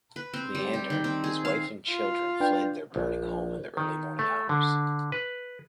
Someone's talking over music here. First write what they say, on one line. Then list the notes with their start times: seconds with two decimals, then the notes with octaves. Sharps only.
Leander, his wife and children fled their burning home in the early morning hours.
0.16 B4
0.34 C4
0.55 G3
0.73 G4
0.90 D#3
1.04 C4
1.24 G#4
1.45 F5
1.89 F4
2.40 D4 B4 G5
2.96 A#1
3.77 D#3
4.19 A3
4.49 D3
5.12 B4